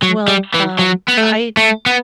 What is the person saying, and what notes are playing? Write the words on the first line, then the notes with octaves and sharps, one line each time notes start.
Well, um, I
F#3
G3
E3
F#3
B3
A3
A3
B3